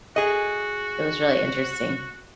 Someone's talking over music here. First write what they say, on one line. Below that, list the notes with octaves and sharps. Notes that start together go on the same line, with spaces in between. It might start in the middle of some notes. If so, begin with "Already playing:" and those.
it was really interesting.
F#4 G#4 D#5